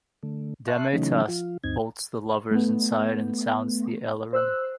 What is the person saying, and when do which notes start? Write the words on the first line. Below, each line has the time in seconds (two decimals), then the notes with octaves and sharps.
Dametas bolts the lovers inside and sounds the alarum.
0.23 D3 A3
0.68 E5 A5 C6 C#6 F#6
0.93 C#3 E3 F#3 A3 C#4 D#4
1.28 F3 F4
1.64 D2 G2 C4 D#4 G#6
2.51 A3 B3
4.33 C5 E6 F#6